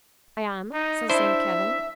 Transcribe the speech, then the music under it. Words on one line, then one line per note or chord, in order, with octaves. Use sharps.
"I am," says Saint Kavin.
D#4
D4 E4 C5 E5